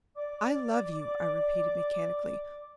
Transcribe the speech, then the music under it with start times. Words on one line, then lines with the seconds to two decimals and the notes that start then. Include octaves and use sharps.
"I love you," I repeated mechanically.
0.15 D5 D6